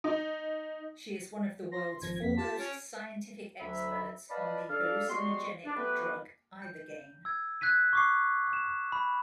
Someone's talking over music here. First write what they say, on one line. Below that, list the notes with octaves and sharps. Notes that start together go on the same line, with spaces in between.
She is one of the world's foremost scientific experts on the hallucinogenic drug ibogaine.
D#4
C6 A#6
G#1 F3 G#6 A#6
F2 A#3 B6
F4 G4 A5
C#4 D7
D2 F#3 E5 B5
B4 D5 D#5 F5 A5 B5
D4 A4 F5
G3 G#3 B3 F#4 C#5 C6
D4
F#3 A3 B3 F#4 G4 B4
G6
E6 G#6
F#6 G#6 B6 D#7
C#6 D6 C7
E7
B5